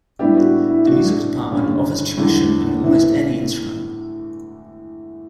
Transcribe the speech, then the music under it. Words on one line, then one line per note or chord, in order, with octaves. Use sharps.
The Music department offers tuition in almost any instrument.
A2 G3 B3 D4 E4 G4
F#4
E4
A2 E3 A3 D4 F#4
G2 D3 G3 C#4
E2 D3 G3
A2 E3 A3